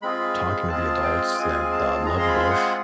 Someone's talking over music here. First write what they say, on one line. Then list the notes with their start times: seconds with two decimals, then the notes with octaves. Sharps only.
talking to the adults that, uh, loved Bush,
0.02 G#3 C4 F4 G#4 B5
0.70 G#3 C4 F4 G#4 A5
1.04 G5
1.37 G#3 C4 F4 G#4 G#5
1.65 G#5
1.72 A5
2.05 G#3 C4 F4 G#4 A#5
2.19 C6
2.28 B5
2.50 F#5